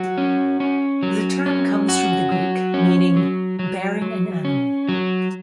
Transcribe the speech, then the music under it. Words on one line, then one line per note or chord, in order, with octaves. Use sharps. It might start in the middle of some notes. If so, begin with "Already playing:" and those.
The term comes from the Greek, meaning "bearing an animal".
Already playing: F#3 F#4
C#4
C#4
F#3
C#4
F#4
F#3
C#4
F#3
F#3
F#3
C#4
F#3